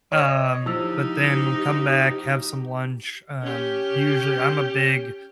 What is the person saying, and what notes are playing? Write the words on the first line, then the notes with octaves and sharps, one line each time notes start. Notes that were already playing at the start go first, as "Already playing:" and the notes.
Um, but then come back, have some lunch um, usually, I'm a big
C#5 D#5
F3 D#4 E4 G4 E6 F7
C#4 G4